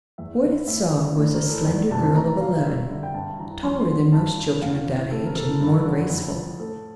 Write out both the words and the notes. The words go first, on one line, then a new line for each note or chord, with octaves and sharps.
What it saw was a slender girl of eleven, taller than most children of that age, and more graceful.
E2 E5
E3
A2 E5
E3 D5
A2 D5
A#4
E3
A4
E2 D5
C3 E3 A5
A2 A#5
E3 F5
F5
G2 E5
D3
G5
G2 A5
E3 A#5
F2 C6
C6
D3
G2 A5
E3
E2 F5
E3
A2 A4
A#4
E3 A4
G2
D3
F2
E3
A2 A4